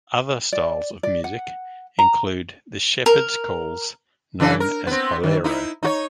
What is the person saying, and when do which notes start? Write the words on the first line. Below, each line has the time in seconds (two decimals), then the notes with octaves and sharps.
Other styles of music include the shepherd's calls known as ballero.
0.53 D5
1.03 D5
1.24 F#5
1.99 A#5
3.06 A#4
4.40 C#3 E3 D4
4.60 A#4
4.87 B3 C4
5.23 D#3
5.44 D#4 E4
5.83 D#4 F#4 C#5